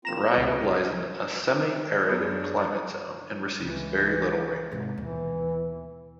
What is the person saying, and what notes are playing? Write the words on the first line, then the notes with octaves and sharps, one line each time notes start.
The Ryn lies in a semi-arid climate zone, and receives very little rainfall.
A#3 C4 F4 A#5 E7
C#2 E4
B2 G3 A#4
F#2 F#3 B3 D4 G#4
C#2 E3
G#2 C3
D#2 B2 E3